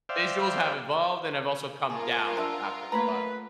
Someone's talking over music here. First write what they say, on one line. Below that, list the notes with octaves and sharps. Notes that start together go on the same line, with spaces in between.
Visuals have evolved and have also come down after a while.
C5 D5 E5 F5 G5
F4 G#4 A#4 A5
G3 D4 E5 F#5
A3 A#3 B4 C#5 A#5